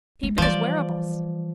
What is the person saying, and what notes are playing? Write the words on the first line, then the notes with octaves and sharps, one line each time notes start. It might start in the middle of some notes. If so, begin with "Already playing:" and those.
Peep at his wearables.
G#3
E3 F3 G3 D5